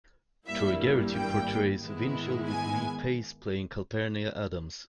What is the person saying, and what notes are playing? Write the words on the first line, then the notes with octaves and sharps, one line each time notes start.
Troy Garity portrays Winchell with Lee Pace playing Calpernia Addams.
G#1 G2 G3 A#3 E4 E5
G5
G#2 D#3 G#3 B3 E4
G#5